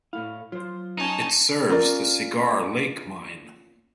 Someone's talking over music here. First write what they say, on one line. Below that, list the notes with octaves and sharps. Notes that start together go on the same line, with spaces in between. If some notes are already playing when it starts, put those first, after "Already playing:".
It serves the Cigar Lake Mine.
A2 A3 E4 F5
F#3 F4 C5
C#4 D#4 A5
C#4 F4 A#4 D5